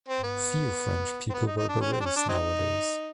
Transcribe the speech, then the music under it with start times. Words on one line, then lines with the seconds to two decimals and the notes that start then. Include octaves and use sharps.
Few French people wear berets nowadays.
0.08 C4
0.24 B3
1.30 C4
1.34 B3
1.46 D#4
1.57 D#4
1.69 D4
1.81 C#4
1.92 C4
2.01 D4
2.05 C#4
2.16 D4
2.29 F#3 C4 D#4